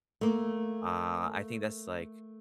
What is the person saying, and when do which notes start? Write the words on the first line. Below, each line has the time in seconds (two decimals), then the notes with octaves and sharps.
Uh, I think that's, like,
0.21 A3 A#3